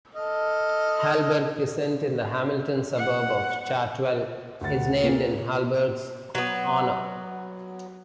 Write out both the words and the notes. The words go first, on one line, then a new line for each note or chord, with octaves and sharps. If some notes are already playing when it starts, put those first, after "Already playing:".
Halberg Crescent, in the Hamilton suburb of Chartwell, is named in Halberg's honour.
A4 D#5 F6
F#5
D2 F#5 A6
A#2 A#3 B4
F#3 B3